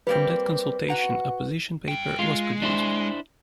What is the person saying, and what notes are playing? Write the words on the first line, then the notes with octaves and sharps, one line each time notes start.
From that consultation a position paper was produced.
G3 A#3 C4 B4
F#4 F#5 A#5
G2 G5
G#3 F4
D4 E4 C5